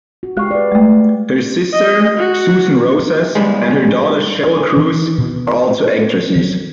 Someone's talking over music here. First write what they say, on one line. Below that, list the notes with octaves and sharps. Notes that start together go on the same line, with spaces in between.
Her sister, Susan Roces, and her daughter, Sheryl Cruz, are also actresses.
F#4
G#3 G4 F5 C#6 F#6
B4 D5
G#3 A3
D#5
F#4
B1 G3 G#3
D#3 E3 C4
B2
D#3 F#3